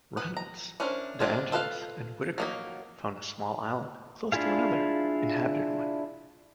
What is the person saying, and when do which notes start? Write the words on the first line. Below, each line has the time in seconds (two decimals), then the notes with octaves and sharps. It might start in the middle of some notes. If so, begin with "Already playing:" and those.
Reynolds, De Angelis, and Whittwaker found a small island, close to another, inhabited one.
0.17 B3 B4
0.37 A#5
0.80 C#4 D4 E4 A#4 C5
1.20 G#3 C4 D4 F4
1.52 F4 A4 B4 D#5 F5
2.38 F#3 A#3 D#4
4.32 D4 E4 F4 G#4 F5